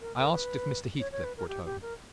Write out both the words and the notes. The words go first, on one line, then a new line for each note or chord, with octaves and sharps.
I asked if Mr. Heathcliff were at home?
A#4
A#4
B4
C#5
C#5
B4
A#4
G4
G4
A#4